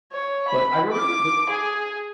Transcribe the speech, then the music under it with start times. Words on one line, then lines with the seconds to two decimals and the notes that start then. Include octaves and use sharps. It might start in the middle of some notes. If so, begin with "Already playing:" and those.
But I remember the
0.13 C#5
0.48 B5
0.91 D6
1.50 G#4